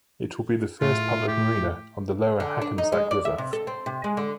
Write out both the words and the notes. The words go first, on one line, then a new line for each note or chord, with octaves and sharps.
It will be the first public marina on the lower Hackensack River.
A2 A3 F4
G4
D3
D4
D#4
G#3
D5
E5
C3
A4
C4
C3
G#3
D3